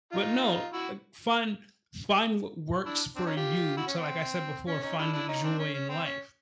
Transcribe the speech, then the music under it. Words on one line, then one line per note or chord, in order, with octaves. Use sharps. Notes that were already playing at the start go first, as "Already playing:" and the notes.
but no, like find find what works for you to, like I said before, "Find the joy in life."
D#4 F4
E4 F#4
D4 E4
C4 D4
C#4 D#4
F4 G4
E4 F#4
C#4
C4
C#4
C#4 D#4
D4 E4
D4 E4
C#4 D#4
C4 D4
C#4
C#4
C4
C#4